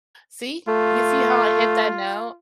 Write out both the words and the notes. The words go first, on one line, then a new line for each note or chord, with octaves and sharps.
See, you see how I hit that note?
A3 F4